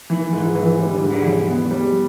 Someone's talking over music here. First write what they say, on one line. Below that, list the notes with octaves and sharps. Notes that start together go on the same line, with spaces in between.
She grew up in Made.
E3
G#2
E3
G3
G#2
E3
B3
G3